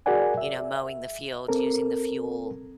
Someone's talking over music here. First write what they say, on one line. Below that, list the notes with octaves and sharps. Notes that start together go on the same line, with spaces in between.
you know, mowing the fields, using the fuel,
F#4 G#4 A#4 D5 F#5 G#5
E5
C4 A4 A#4